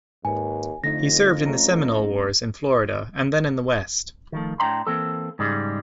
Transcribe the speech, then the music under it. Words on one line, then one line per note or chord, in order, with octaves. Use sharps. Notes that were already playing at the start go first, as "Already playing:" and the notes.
He served in the Seminole Wars in Florida and then in the West.
D#2 G#2 B4 G#5
F2 D3 A3 D#4 A#6
A3 C#4 A#5
D#3 F3 A3
A2 D4 G5 A#5 C6
E3 A#3 C4 A4
G#2 C#3 G3 G#3